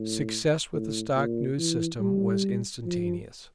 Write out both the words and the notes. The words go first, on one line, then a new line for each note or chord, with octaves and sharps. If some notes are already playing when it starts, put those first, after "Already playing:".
Success with the "stock" news system was instantaneous.
Already playing: A2
A2
A#2
E3
G3
F3